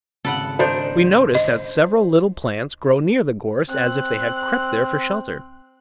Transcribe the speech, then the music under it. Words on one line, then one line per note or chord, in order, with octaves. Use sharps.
We notice that several little plants grow near the Gorse, as if they had crept there for shelter.
G#1 C#3 A4 B4 F#5 D7
D4 D#4 C5
D#5
C4 F#6